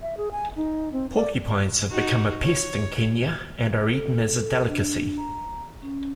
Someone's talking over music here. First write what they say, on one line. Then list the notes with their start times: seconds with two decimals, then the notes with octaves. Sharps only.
Porcupines have become a pest in Kenya and are eaten as a delicacy.
0.02 E5
0.17 G#4
0.32 G#5
0.56 D#4
0.93 C4
1.15 D5
1.91 D#4 F#4
2.44 C#5
3.90 A4
4.38 A4
4.68 D4
5.17 A#5
5.82 C#4